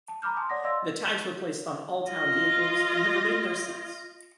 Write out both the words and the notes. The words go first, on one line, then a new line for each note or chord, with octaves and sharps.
The tags were placed on all town vehicles, and have remained there since.
A5
A#5 B5 D6 F6 G6
G#5 A5 C6 D#6
C#5 D5 F#5 D#6 A#6
D5 D#5 F5 C6 E6 A#6
F4 D#5